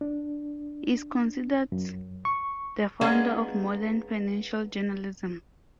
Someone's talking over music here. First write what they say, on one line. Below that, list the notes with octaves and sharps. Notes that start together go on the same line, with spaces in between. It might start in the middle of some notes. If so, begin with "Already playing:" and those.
He is considered the founder of modern financial journalism.
D4
F#2
C#6
G#3 A#3 B3 C#4 D4 G#4